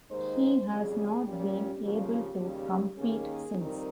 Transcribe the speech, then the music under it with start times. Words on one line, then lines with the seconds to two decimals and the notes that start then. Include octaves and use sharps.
He has not been able to compete since.
0.10 D#2 D#3 G#3 D#4 C5
0.68 F2 C#3 G3 G#4
1.26 A#2 G3 C#4 G4
1.55 G4
1.83 C#3 F3 A#3
2.41 D#2 C#3 G3
2.98 D#2 D#3 A#3 C#4 G#4
3.56 F2 D#3 G3 C4 D#4 A#4